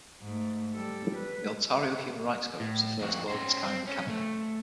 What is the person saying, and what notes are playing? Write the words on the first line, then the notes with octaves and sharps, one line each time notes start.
The Ontario "Human Rights Code" was the first law of its kind in Canada.
G#2 A3
G3 A4
B4
A2
F2 F#4
C#4 C5
C4
C#4
A3